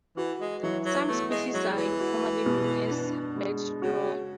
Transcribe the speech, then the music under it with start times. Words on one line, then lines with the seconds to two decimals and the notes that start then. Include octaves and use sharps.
Some species are informally known as bedstraw.
0.17 E3 F#4
0.41 G#3
0.62 E3 F#3
0.85 F#3
1.08 A3 B3
1.31 G#3
1.53 F#3 G#3
1.76 E3
2.00 F#4
2.46 B2
2.91 D4
3.36 G#3
3.82 C#3 F#4